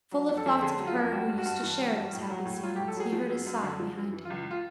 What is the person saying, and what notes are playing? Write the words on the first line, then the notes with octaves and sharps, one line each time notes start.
Full of thoughts of her who used to share those happy scenes, he heard a sigh behind him.
F#3
F2
A4
F2
D3 G#4
F#3
F4
F2
G3 F#4
G2
F#4
G2
E3
G3
G2
A2
F#3
A2
F#3 F4
A2 G4
A4
F#3 G#4
F3
F#2
F#2
D3
F3
F#2
E3
F4
C#2
F4